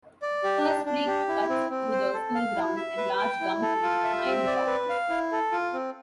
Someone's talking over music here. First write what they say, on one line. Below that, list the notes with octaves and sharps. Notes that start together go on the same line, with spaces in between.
First Creek cuts through the school grounds and large gum trees line the property.
D5
G4
D4
D4
G4
E4
C4
C4
C5
A4
F5
E4
E5
B4
G5
E4
A4
F4
E5
C4
D5
B4
F5
E4
A4
F4
C4